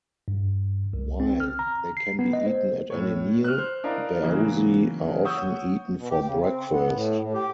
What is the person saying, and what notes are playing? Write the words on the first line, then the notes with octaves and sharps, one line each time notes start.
While they can be eaten at any meal, baozi are often eaten for breakfast.
G2
C2
C4
F6
A#5
C7
B3
D#5
C5
A2 C#5
F6 F#6
C5
D4 E4 A#4 D#5 F5
C#3 E3 F#3 A#3
C#5 F#5 C#6 D#6 E6 G6
B2
G4
C#3
C4
B3
A2
A2
G4